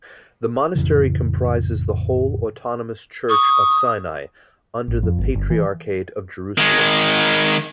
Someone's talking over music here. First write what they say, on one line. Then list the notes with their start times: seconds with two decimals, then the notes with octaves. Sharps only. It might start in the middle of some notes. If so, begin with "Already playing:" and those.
The monastery comprises the whole Autonomous Church of Sinai, under the Patriarchate of Jerusalem.
0.75 A1 F2 C#3 E3
3.29 C#6 D#6
4.88 A1
5.03 F2
5.19 G#1
5.35 G1
5.50 E3
6.57 D#3 G#3